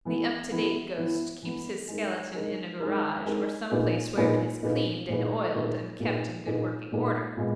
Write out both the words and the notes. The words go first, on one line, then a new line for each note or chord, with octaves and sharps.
The up-to-date ghost keeps his skeleton in a garage or some place where it is cleaned and oiled and kept in good working order.
E3 B3 E4
E3 B3 E4
E3 B3 E4
E3 B3 E4
G#3 D#4 A#4
G#3 D#4 A#4
G#3 D#4 A#4
G#3 D#4 A#4
A#2 A#3 D#4 G#4 B4
A#2 A#3 D#4 G#4 B4
A#2 A#3 D#4 G#4 B4
A#2 A#3 D#4 G#4 B4
A#2 A#3 D#4 G#4 B4
A#2 A#3 D#4 G#4 B4
A#2 A#3 D#4 G#4 B4
A#2 A#3 D#4 G#4 B4
A#2 G#3 B3